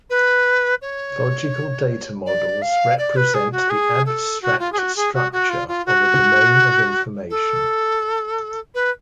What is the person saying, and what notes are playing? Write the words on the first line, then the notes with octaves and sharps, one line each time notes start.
Logical data models represent the abstract structure of a domain of information.
B4
C#5
D5
F5
D5
B4
G#4
F#4
G#4
A4
F#4
F4
G#4
F#4
G#4
F#4
F#4
F4
F4
F#4
A4
B4